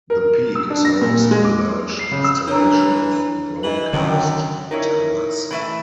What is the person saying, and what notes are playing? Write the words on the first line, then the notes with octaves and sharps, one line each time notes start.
The peak is host to a large installation of broadcast towers.
A#4
E6
D4
A#6
A#2
G#3
D6
C7
C#3
E6
E3 D4 C#5 A#5
E3 D#5 F#7
F#2 D3 D#3 D#5 G5
D#4 E4 A#4 C#5
E3 A3 E5 B5